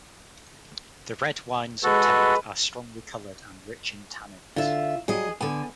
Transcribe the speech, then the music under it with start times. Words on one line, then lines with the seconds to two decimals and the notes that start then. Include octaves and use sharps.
The red wines obtained are strongly colored and rich in tannins.
1.83 G#3 F#4 A4 B4
4.56 D3 F4 E5
5.08 F#3 G3 G#4 D#5
5.41 D3 B3 G#5